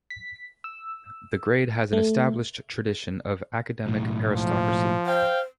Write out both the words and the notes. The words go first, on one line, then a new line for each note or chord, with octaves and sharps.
The grade has an established tradition of academic aristocracy.
B6
E6
A3
B1 A2
F3
C5 F5 G5